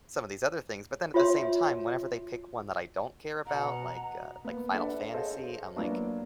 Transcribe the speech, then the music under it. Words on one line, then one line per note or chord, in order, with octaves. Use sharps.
some of these other things, but then at the same time, whenever they pick one that I don't care about, like, uh, like, Final Fantasy, I'm like,
F4 F#4 C#5 E5 C6
B2 F#5 A#5
A#3 B3
D4 A4 B4 E5 F#5
G#4 A4 C5 C#5 D#5 F5
F#3 A#3 B3 D4